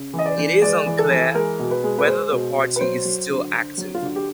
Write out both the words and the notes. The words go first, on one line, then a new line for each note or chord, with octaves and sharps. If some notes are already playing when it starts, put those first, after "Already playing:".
It is unclear whether the party is still active.
Already playing: C#3
E3 D#5
D5
E3
G#3 D5
E3
A4
E3
G#3 A#4
B2
B4
G#3
B4
G#3 C5
B2
B2
B4
F#3 C5
F#3
D3
D3
F#3
F4
D3 F#4
G4